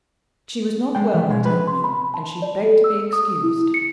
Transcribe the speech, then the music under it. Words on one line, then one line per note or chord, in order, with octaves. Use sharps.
She was not well that evening, and she begged to be excused.
G#3 G5
E3 A3
B2 G#3
F3 B4
C6
B5
A5
D5
A4
E6
D#6
E4
C#7